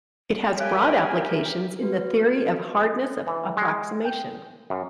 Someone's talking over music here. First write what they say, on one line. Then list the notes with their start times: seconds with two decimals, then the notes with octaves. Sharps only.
It has broad applications in the theory of hardness of approximation.
0.58 G3 G4 A#4 C#5 E5 G5 G#5
1.82 F#4 B4
3.27 E3
3.57 G#3
4.05 G5
4.70 F#2